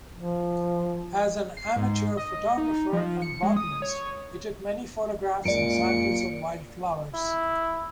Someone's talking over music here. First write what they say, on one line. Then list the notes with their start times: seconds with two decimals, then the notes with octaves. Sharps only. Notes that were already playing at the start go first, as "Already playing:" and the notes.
As an amateur photographer and botanist he took many photographs and samples of wildflowers.
0.16 F3
1.57 C7
1.76 G#2
2.17 D#5
2.58 D#4
2.93 F3
3.22 C#7
3.43 G#3
3.57 D#6
3.82 C#5
5.45 F#2 A#2 G#3 D5 C#7 D7
7.14 E4